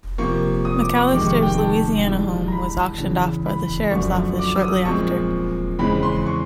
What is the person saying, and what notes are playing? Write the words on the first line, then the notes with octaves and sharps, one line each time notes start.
McAllister's Louisiana home was auctioned off by the Sheriff's office shortly after.
C3 F3 A#3 C#6
D#6
D6
C#6
F2 C3 D#3 G#3 D6
C#6
G5
A5
G2 E3 G#3
A#5
B5
E2 C#3 E3
B5
F#2 D3 F3 A3 C#6
D6
E6
D#6
A#2 F3 G#3 C4 C#6
E2 C#3 E3 G#3 C4 B5
C6
C#6